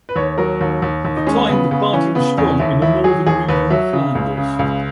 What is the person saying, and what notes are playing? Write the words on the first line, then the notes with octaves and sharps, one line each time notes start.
At the time, the party was strong in the northern region of Flanders.
B4
D#2 C#5
F#3 A#4
D#2
D#2
D#2
D#4
G#3 C#4
C#3 B3
C#3 B3
E3 C#4
C#3 B3
E2 C#4
D#2 E4
D#2 E4
F#3 G#4
D#2 G#4
D#2 B4
F#3 E5
C#3
C#2
C#3
C#2